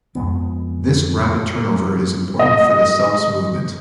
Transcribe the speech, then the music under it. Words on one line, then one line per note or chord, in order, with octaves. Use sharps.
This rapid turnover is important for the cell's movement.
F2 G#3 B3
D#5